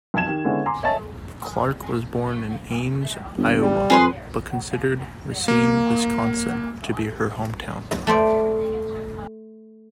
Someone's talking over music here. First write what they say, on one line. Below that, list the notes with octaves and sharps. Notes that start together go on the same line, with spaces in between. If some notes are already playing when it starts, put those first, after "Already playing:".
Clark was born in Ames, Iowa, but considered Racine, Wisconsin, to be her hometown.
B1 F2 A5 G#6 E7
D#3 G4
D3 G#3 B3 C#4 E4
G#5 A#5 C6 D6
C#5 D#5 E5 G#5 A5 A6
G1
G3
F2 G#4 B4 C6
A#3
A3 A4 C5 D5